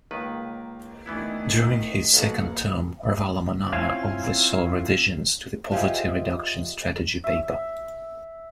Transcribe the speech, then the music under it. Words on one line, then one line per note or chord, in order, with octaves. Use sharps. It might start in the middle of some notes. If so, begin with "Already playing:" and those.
During his second term, Ravalomanana oversaw revisions to the Poverty Reduction Strategy Paper.
C#2 D#3 A#3 B4
D2 D#3 E3 B3 E4
B1 B2 A#3 A#4 F5 F#5
C4 C#4 E4 F4 F5
F4 G4 G#4 C5 D#5 E5
E5